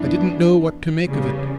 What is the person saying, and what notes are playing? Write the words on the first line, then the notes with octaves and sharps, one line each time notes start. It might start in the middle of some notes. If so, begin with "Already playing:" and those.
I didn't know what to make of it.
Already playing: F#2 E3 B3 D4
E2 C#3 G3